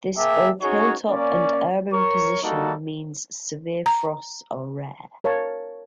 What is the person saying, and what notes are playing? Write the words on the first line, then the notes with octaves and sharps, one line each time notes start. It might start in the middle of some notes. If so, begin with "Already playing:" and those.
This both hilltop and urban position means severe frosts are rare.
A#3 G#4 E5 G5 A5 D6
C#4 D#4 F#4 G#4 C#5
A#3 C#4 D5
A#4 C#5 C#6
G3 A#3 D#4 F#4 A4
A#5
A#4 C#5 F5 A5